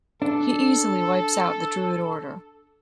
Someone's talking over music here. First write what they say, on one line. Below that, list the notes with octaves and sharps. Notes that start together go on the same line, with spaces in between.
He easily wipes out the Druid order.
D4 A4